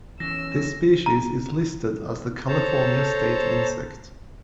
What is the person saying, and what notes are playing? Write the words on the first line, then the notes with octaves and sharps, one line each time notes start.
This species is listed as the California state insect.
B1 E3 C#4 E6 A#6
A#5
A4 C5 C#5 A5 A#5